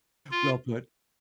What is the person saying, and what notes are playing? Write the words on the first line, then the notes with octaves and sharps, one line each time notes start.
Well put.
F4